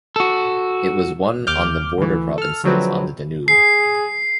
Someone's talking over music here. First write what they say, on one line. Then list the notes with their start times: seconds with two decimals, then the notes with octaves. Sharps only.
It was one on the border provinces on the Danube.
0.16 F#4 A4
1.47 D#2 D6 F6 G6
1.98 D2 E3
2.38 A4 F6
2.64 D3 F3 F#3 G#3 C4 B4
3.48 G#4 C7